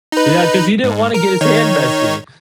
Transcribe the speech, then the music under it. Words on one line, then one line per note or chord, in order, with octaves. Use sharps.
Yeah, 'cause he didn't wanna get his hand messy.
D#4 B4
G#2
A#4
D#3 D#4 C#5